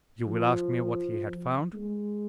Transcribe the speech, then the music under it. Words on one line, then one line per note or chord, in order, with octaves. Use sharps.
You will ask me what he had found?
F3
G#3